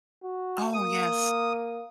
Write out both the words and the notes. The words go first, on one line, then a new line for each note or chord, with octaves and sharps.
Oh, yes.
F#4
A#3 D#6